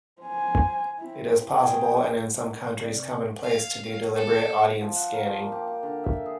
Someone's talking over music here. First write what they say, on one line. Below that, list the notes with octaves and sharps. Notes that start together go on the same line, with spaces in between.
It is possible, and in some countries commonplace, to do deliberate audience scanning.
C5 G#5
C4 E4
G#4 G5
C3 D5
F5
A4
F3
F#5
A#4
F3
A#3
G4
G4
D3
E5
G#4